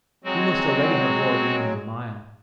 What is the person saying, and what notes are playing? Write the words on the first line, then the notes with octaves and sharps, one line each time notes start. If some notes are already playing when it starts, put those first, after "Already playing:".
He must already have rowed nearly a mile.
F#3 G#3 C4 F#4